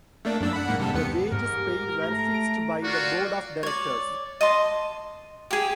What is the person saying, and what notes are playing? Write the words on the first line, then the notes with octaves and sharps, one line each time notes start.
The wages paid were fixed by the Board of Directors.
A3 A#3 D4
F#2 D4 E6
F#5 B5
G#2 A#3 F#5
C3 G3 A4
E2 B3 C#7
G#2 G4 A#4
A3 A#5
D7
A#3 F4 F#4 D5
C#5 D5
D#5 A5 C6
G4 G#4